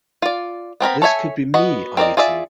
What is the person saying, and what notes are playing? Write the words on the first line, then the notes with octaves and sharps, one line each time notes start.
This could be me I'm eating.
F4 D5
B3 C4 A#4 B5
A4 C#5 E5 G#5
B3 F#4 D#5
C4 A#4 D5 D#5
F4 G#4 D5 E5